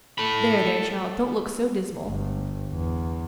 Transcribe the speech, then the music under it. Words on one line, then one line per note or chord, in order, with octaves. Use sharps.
There, there, child, don't look so dismal.
A4 B5
G1
E2